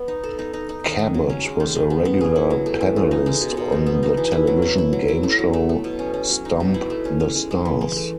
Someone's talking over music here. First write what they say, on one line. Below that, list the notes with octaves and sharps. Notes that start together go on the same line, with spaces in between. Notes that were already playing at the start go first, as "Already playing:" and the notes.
Cabot was a regular panellist on the television game show, "Stump the Stars".
Already playing: B3
D#4
A4
D#4
D#4
D#4
D#3
D#3
F#3
C#4
G#3
D#3
D#3
B3
B3
G#4
E4
F#3
A3
E3
C#3
D#4
G#3
B2
B2
D#4
B3
D#4
E3
E4
F#3
E4
E4
F#3
E4
A3
F#3
A3
A3
B2
C#4
C#4
F#3
D#4
B2
E4
A3
C#4
C#4
G#3
G#3
E3
E3
A3